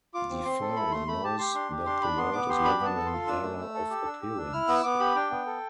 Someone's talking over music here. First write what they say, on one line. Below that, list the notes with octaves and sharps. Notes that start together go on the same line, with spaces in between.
Defao knows that the world is living an era of appearance.
F4 D6
C4
C4 C6
A4
E4 B5
A3 C6
A3 B5
G4 A5
G4 C6
D4 C6
G4
D4 C6
D4 B5
B3 C6
B3 D6
G4 C6
D4 B5
B3 A5
A4
C6
F4
D4 E6
A3
A3
A4
G4
D4
G4
D4
E4 F6
B3 E6
B3 D6
G4 B5
D4 G5
B3
A4